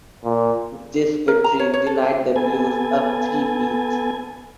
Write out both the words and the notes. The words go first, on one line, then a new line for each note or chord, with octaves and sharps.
This victory denied the Blues a three-peat.
A#2
A#4
A#5
C#5
C#5
A4
B3 A4 G#5